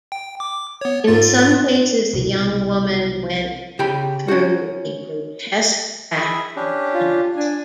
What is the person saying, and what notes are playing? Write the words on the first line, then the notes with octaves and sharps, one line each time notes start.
In some cases the young woman went through a grotesque act of penance.
G5
D6
B3 C#5
G#2 F4 A6
C2 B2
C#3 G4 G5 B5
C#4 F#4
E4 G#4 E5
C#4 D4 G4
F4
D4 G#5